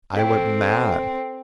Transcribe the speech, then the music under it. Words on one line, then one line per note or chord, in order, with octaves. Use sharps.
I went mad!
C4 A4 G5